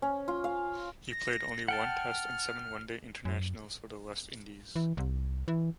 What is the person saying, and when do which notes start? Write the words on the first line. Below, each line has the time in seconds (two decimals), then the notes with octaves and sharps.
He played only one Test and seven One Day Internationals for the West Indies.
0.02 C#4
0.28 F4
0.44 F5
1.11 A#6
1.68 F#5 G5 A5 F6
3.25 F#2
4.76 E3
4.97 C2
5.48 E3